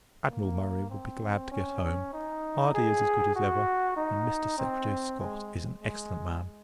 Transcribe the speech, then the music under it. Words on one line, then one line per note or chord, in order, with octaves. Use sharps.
Admiral Murray will be glad to get home; Hardy is as good as ever; and Mr. Secretary Scott is an excellent man.
A#3
C4
C#4
D#4
G#4
F#4
D#4
C4
G#3
G#3